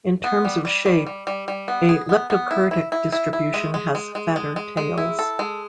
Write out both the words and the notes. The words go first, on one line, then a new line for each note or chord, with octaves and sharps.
In terms of shape, a leptokurtic distribution has "fatter tails".
B3
G3
G3
G3
G3
G3
G3
B3
G#4
B3
B3
E4
E4
E4
E4
E4
G#3
G#3
G#3
G#3
G#3
G#3
G#3
E4
A4
G#3